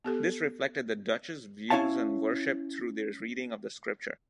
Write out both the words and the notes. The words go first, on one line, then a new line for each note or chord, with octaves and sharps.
This reflected the Dutch's views on worship through their reading of the Scripture.
B3 G4 A4
C#4 E4 C#5 F5 A5